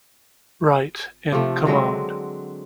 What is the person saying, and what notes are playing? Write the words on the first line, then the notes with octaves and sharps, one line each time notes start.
Wright in command.
C3 F3 A3
D3 F#3 G#3 C4